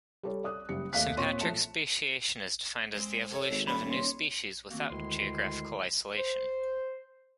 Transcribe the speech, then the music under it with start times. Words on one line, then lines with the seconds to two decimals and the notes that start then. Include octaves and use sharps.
Sympatric speciation is defined as the evolution of a new species without geographical isolation.
0.23 G3 A4 C#5
0.44 D5 D#6 F#6
0.69 F#1 G3 C#7
0.93 D#2 A3 D5 F5 F#6 B6
1.17 A#2 C4 C#5 C6 C#6 D#7
1.39 F3 A3 A5 C#7 E7
2.94 G#3 C4
3.31 A4 C#5
3.50 G#1
3.67 D#1 C#4 D4 C#5 B5
3.90 C6
4.70 D#3 A3 A#3 C4 F#4
4.89 D2 D3 D#3 G#3 E4 C6
6.17 C5